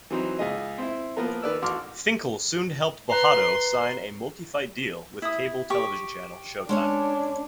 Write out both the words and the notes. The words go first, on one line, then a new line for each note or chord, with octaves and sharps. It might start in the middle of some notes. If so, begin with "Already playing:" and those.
Finkel soon helped Bojado sign a multi-fight deal with cable television channel Showtime.
E3 F#3 C4 D#4
C#2 G#4 D#5
C4 E4
F3 A#3 B3 A#4
D#3 B4 D5 E6
A1 F#4 C6 D6 F6
B4 A#5 C6
E4 D#6
G4 C#6
G#3 C#4 D4 C#5